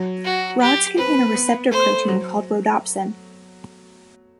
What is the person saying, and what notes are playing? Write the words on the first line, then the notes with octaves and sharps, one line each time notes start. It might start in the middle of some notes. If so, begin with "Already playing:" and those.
Rods contain a receptor-protein called rhodopsin.
Already playing: F#3
F#4
G4
C4 B4
B3
A3 C5
F#3